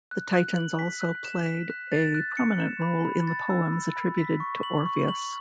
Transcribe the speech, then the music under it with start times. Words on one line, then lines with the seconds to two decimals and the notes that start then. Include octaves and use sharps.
The Titans also played a prominent role in the poems attributed to Orpheus.
0.11 F#6
0.34 F#6
0.56 F#7
0.79 B6
1.02 F#6
1.25 E7
1.46 B6
1.70 F#6
1.92 A6
2.14 F#6
2.37 C#7
2.60 E7
2.82 B5
3.05 B5
3.28 A6
3.50 E6
3.73 B5
3.96 B5
4.18 B6
4.40 C#6
4.63 F#7
4.85 C#6
5.08 F#7